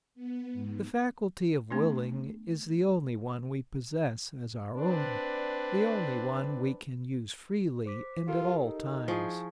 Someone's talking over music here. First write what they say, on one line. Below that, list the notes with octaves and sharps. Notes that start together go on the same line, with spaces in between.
The faculty of willing is the only one we possess as our own, the only one we can use freely and at all times.
B3
G#2
A3 B3 D4
C4 D4 B4 D5
C5 D6 B6
F4 G4 A4 A#4
D#4
F3 E4 G#4 G#5 C#6